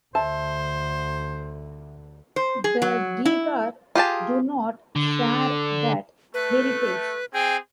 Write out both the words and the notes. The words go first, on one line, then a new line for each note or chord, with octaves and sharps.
The Degar do not share that heritage.
D2 D3 C5 E5 A5
C5
G#4
F#3
E4
F4 G4 G#4 A5
D3
A3 B4
C4 G#4 G5